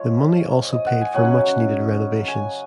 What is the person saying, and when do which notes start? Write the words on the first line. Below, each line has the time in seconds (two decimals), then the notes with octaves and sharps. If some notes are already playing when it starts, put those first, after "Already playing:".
The money also paid for much needed renovations.
Already playing: F3 G#3 C#4 C#5
0.73 D#5
0.86 F#5
1.01 G#5
1.14 C#3 F#3 C#4 F#5
2.28 G#5